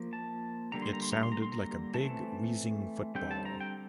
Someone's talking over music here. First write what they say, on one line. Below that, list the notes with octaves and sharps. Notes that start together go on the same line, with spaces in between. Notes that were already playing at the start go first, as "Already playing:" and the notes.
It sounded like a big wheezing football.
Already playing: F3 A#3
A5
D3 G3 A#3 A#5
C6
A#5
C6
A#5
C6
A#5
C6
A#5
E3 A3 C4 A5
D3 G3 C4 G5
A5
A#5
G5